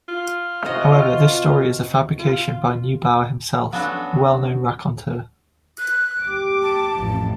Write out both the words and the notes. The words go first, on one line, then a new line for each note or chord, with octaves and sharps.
However, this story is a fabrication by Neubauer himself, a well-known raconteur.
F4
C3 F#4 D#5
F4
F#3 B3 C#4 D4 F#4 A4
F#6
G4 D6
A5
A1 F2